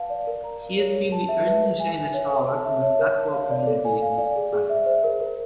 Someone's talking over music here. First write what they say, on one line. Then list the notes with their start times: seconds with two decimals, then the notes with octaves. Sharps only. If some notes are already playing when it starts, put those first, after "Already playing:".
He has been the only Jain acharya from the Saitwal community in recent times.
Already playing: B4 F5 A5
0.10 D5
0.27 A#4
0.44 A#5
0.61 F5
0.78 C#5
0.95 G#4
1.12 A5
1.29 E5
1.46 B4
1.63 A#4
1.80 G#5
1.97 E5
2.14 C#5
2.32 A4
2.48 A5
2.65 E5
2.82 C#5
2.99 A#4
3.16 A5
3.33 F5
3.50 D5
3.67 A4
3.85 G#5
4.02 F5
4.18 D5
4.36 G#4
4.53 G#4
4.70 E5
4.86 C5
5.04 A#4
5.20 A#4